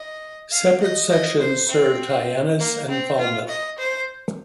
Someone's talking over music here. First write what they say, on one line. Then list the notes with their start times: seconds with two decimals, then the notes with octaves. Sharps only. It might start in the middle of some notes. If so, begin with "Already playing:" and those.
Separate sections served Hyannis and Falmouth.
Already playing: D#5
0.51 F5
0.81 D#5
1.10 D#5
1.41 C5
1.69 C4
2.59 A#3
2.89 C4
3.18 F4
3.49 D#5
3.79 C5